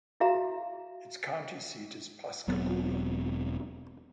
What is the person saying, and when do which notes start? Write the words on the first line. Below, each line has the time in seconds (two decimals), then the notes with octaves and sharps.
Its county seat is Pascagoula.
0.20 E4 F#4 G#4 E5 F5 A#5
2.48 E1 F#3 B3 C4